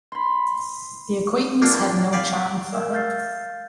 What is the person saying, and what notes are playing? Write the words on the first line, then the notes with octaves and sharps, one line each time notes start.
The acquaintance had no charm for her.
B5 C6
A#3 C4 D4 F4 A#4
D5 F5 G5 G#5 B5
A#4 F5 E6
F5 F6 G6 A6 C7